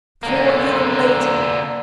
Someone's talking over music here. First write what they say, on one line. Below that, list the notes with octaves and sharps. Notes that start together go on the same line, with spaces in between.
'Poor young lady!
D3 A#3